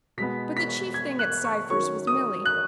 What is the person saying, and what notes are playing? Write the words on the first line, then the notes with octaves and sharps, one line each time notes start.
But the chief thing at Cypher's was Milly.
B2 G#3 B3 B6
B6
G#6
F#6
C#6
D#3 F#3 C#4 C#6
D#6
F#6